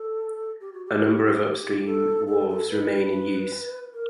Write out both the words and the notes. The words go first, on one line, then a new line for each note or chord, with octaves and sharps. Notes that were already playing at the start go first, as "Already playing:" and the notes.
A number of upstream wharves remain in use.
Already playing: A4
G4
F#4
G4
A4
A4
A4
B4
A#4